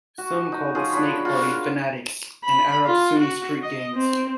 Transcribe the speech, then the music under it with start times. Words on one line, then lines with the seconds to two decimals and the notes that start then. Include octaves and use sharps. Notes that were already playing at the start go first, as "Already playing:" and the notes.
Some call the Snake Party fanatics and Arab Sunni street gangs.
0.18 F#4
0.52 D#4
0.75 F3 F4 G#4 C#5
0.93 D4 C#5 B5
1.25 F4 F#4
1.38 F4 A#4 F#5
2.44 B5
2.85 F4
3.20 F#4
3.62 D#5
3.95 C4